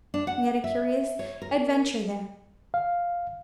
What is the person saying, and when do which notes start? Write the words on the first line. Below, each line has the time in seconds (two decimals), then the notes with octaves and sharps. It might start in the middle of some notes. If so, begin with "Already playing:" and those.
We had a curious adventure there.
0.14 D4
0.27 F#5
0.64 E5
1.19 C#5
1.42 A#4
2.74 F5